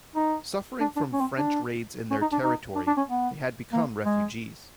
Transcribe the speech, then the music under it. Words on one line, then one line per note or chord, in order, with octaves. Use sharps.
Suffering from French raids in their territory, they had become refugees.
D#4
D4
D4
C#4
C4
D4
C#4
D#4
D4
D#4
D4
D4
C#4
B3
A#3
G#3